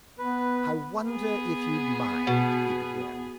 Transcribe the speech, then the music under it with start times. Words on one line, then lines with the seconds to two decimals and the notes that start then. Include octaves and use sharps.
"I wonder if you'd mind," he began.
0.19 B3 B4
1.09 B3 G#4
2.27 B2